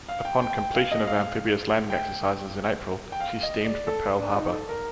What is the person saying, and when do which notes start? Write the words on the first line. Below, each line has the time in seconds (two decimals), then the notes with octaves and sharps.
Upon completion of amphibious landing exercises in April, she steamed for Pearl Harbor.
0.09 F5
0.25 G5
0.42 G5
0.58 G5
0.75 F5
0.92 D#5
1.07 F5
1.90 G5
3.12 G5
3.21 F5
3.43 D#5
3.65 D5
3.87 A4
4.19 D4
4.36 D#4
4.52 A4
4.69 A#4